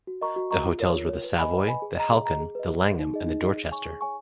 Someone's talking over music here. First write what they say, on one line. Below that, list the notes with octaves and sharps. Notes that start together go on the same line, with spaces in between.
The hotels were the Savoy, the Halkin, the Langham and the Dorchester.
F#4
A#4 D#5 A#5 C#6
F#4
A#4 D#5 A#5 C#6
F4
A#4 C#5
F4
A#4 C#5
B4
D#5 G#5 B5
B4
D#5 G#5 B5
G#4
D#5 A#5
G#4
D#5 A#5
G#4
B4 D#5
G#4
B4 D#5
D#4
G#4 D#5
D#4
G#4 D#5
G#4
C#5 G#5 C#6
G#4
C#5 G#5 C#6